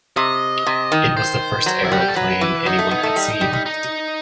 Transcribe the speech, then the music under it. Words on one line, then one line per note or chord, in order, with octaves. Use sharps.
It was the first aeroplane anyone had seen.
C3 D#5
C3
D#3
C5
F#3
E4
G3 F#4
G4
A4
F#3 B4
E3
F#3 D#4
A3
B3
A3
G3
G3
G3
D#4